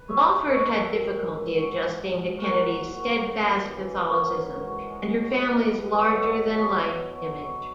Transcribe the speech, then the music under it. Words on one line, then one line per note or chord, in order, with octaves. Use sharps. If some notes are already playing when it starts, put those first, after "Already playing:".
Lawford had difficulty adjusting to Kennedy's steadfast Catholicism and her family's larger-than-life image.
Already playing: B4
C#5 E5
E3
B4 D#5
F#2
C#5 E5
D#3
G#3
G#2
F#3
G#2
G#2
F#3 F#4 A#4
A#2
F#3
C#3
E3
E3
F#3 A#4 C#5
G#2
F#3
G#3
B2
G#3
B2 B4 D#5
C#5 E5
F#3
D#5
C#5 E5
B2
D#5 F#5
B2 C#5 E5
B2
F#3
F#3